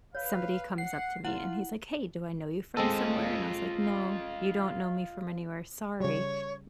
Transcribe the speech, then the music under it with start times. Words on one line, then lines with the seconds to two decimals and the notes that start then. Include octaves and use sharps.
somebody comes up to me, and he's like, "Hey, do I know you from somewhere?" And I was like, "No, you don't know me from anywhere, sorry."
0.15 B4 C#5 F5
0.78 F#5 C7
1.25 E4 F4 F#5
2.77 G#3 C4 F4 A4 D#5
6.00 C#3 G3 C#5